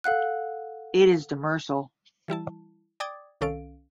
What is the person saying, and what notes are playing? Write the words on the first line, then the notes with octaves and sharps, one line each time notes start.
It is demersal.
A4 F5 F#5 F#6
E3 G3 E4 A5
D5 G5 D6 D#6 G#6 A6
C2 D#3 C#4 A4 F5 D7